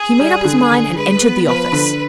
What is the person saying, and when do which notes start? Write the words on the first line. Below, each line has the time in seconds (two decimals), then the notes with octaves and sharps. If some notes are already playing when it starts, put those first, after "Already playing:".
He made up his mind, and entered the office.
Already playing: G#4
0.19 G3
0.45 D3
0.70 D3
0.96 G#3 B4
1.22 B3
1.48 F3 B4
1.72 D3